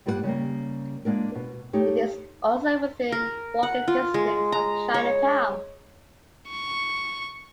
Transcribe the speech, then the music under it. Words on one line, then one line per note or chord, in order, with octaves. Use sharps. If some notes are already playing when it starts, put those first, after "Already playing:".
It is also within walking distance of Chinatown.
G2 G3 A#3 A#4 F#5
C#3 G3 A#3
G#3 A#3 C4 D4 A#4
B2
A3 D#4 G4 C#5
A#4
F#5
F4
G#3
A#5
C#5
C#6